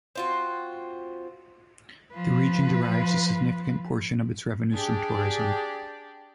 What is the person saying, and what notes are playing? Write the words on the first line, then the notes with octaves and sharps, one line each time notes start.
The region derives a significant portion of its revenues from tourism.
C4 F4 F#4
F3 B4
D4 G4 G#4 D5